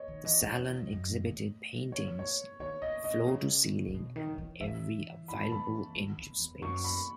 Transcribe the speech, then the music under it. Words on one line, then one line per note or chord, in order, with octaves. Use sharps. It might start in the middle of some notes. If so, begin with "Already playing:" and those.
The Salon exhibited paintings floor-to-ceiling and on every available inch of space.
Already playing: C#5 D#5
D#3
E3 D#5
G#2
E2
F#2
A2
C#5
C#5
D#3 C#5
C#3 D#5
B2 D#5
C#3
C#3
B2
D#3
E3
E3 E5
B5
A5
B5
D#3
E2
E2
F#2 C#6
B5